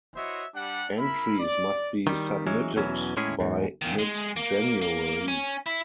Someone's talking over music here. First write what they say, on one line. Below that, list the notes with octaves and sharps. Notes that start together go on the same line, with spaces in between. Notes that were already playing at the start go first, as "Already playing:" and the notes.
Entries must be submitted by mid-January.
E4 F#4 C5 C#5 D#5 E5
G3 D4 F#5
E4 A#4 E5 B5
D5
D#3 G3
E3 F#3 G#3 C#4
E2 B2 E3 F#3 C#4
A2 G#3 C#4 E4 G#4
E2 G#2
A#2 D#3
G#3
A#3
A#3
C#4
E4